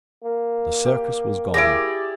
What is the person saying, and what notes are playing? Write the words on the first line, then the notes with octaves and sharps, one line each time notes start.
The circus was gone.
A#3
G4
E4 G4 G#4 D5 D6 A#6 D7